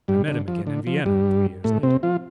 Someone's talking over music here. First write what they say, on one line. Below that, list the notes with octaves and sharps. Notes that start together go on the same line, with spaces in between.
I met him again in Vienna three years later.
G2 G3
D3
F3
D3
F3
G2 G3
A2 A3
C3 C4
F3 F4